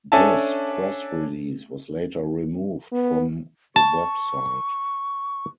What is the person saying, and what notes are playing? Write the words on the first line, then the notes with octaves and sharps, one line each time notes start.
This press release was later removed from the website.
C#4 D4 A4 E5 G#5 A5
B3
A5 C#6